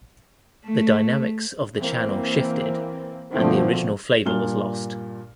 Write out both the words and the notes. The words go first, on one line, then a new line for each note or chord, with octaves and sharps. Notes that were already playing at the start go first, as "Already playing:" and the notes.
The dynamics of the channel shifted and the original flavor was lost.
A3
E3 A#3 C4
B2 D3 F3 A3 A#3 C4
G2 A#2 F6 G7